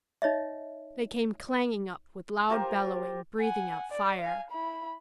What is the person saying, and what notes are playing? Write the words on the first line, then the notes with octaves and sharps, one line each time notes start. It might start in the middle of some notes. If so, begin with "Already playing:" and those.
They came clanging up with loud bellowing, breathing out fire.
D#4 C#5 D#5 E5
F4 G4 A#4 C5
F#5 G#5
D5
F5 G#5
E4 B5